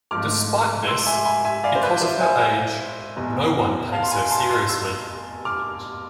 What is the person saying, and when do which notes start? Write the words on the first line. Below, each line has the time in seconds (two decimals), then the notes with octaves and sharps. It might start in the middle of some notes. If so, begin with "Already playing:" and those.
Despite this, because of her age, no one takes her seriously.
0.11 G#1 G#2 F3 A3 D6 F6
0.87 C6 E6
1.07 E5 G#5
1.25 G#5 B5
1.45 E5 G#5
1.64 D5 F5
1.75 C5
1.83 B4 D5
2.01 C5 E5
2.21 E5 G#5
3.16 F1 E2 B2
3.92 F5 A5
4.02 C6
4.11 G#5 B5
4.30 A5 C6
4.50 A5 C6
4.69 C6 E6
5.45 D6 F6